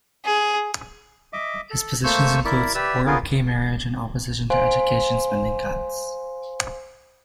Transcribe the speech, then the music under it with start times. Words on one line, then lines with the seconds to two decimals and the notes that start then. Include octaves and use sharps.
His positions include support of gay marriage and opposition to education spending cuts.
0.25 G#4
1.33 D#5 E5 D6
1.70 A4
2.04 A3 A#3 C5 C#6 E6
2.45 E4 A#4 D5 E5
2.75 G4 B4 D5 E5 E6
3.07 B3 C#4 F4 G#4 A#4 B4
4.50 C5 F5 G#5 C6